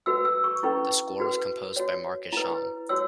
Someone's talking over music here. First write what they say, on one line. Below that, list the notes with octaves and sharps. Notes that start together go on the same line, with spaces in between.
The score was composed by Mark Isham.
F#4 B4 E6
E6
C#6
C#4 E4 B4 C#6
F#4 B4
F#4 C#5
E4 B4
F#4 C#5 E6